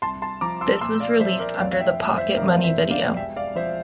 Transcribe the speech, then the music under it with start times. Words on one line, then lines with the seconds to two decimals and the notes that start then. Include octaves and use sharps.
This was released under "The Pocket Money Video".
0.02 C2 A5 C6
0.22 A5 C6
0.41 F3 A#5 D6
0.61 C6 E6
0.80 A#2 C6 E6
1.00 D5 F5
1.20 F3 C5 E5
1.39 A#4 D5
1.59 F2 D5 F5
1.72 F5
1.79 E5 G5
1.99 G1
2.18 C5 E5
2.37 F2 A#4 D5
2.64 C5 E5
2.77 G3
2.90 D5 F5
3.16 E1 E5 G5
3.36 D5 F5
3.55 F3 C5 E5